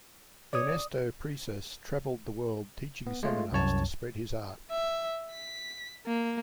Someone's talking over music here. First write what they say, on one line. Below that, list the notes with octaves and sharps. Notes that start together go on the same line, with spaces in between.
Ernesto Presas traveled the world teaching seminars to spread his art.
C#5 D5 D#6
B3
G#3 A3 F4
C2 F#2 C#5 A5
E5
B6
A#3